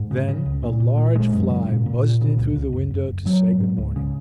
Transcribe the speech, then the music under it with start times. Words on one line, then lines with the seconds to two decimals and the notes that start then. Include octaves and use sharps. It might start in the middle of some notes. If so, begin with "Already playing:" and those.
Then a large fly buzzed in through the window to say good morning.
Already playing: G#2
0.11 C#3
0.28 C#3
0.46 C#2
0.63 A#2
0.80 A#2
0.97 A#2
1.15 G#1 G#3
1.33 F#2
1.50 C#3
1.68 A#2
1.86 A#2
2.03 A#2
2.21 C#3
2.38 C#2
2.56 C#2
2.73 F#1
2.90 F#1
3.08 F#1
3.25 G#2 F#3
3.43 G#2
3.60 G#2
3.78 C#2
3.96 C#3